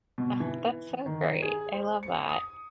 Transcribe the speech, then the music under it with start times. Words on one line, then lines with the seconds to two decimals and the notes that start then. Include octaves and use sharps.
Ah, that's so great. I love that.
0.18 B2
0.40 E3
1.06 D#3
1.42 G#4
1.74 C5
2.03 C#7
2.29 D#6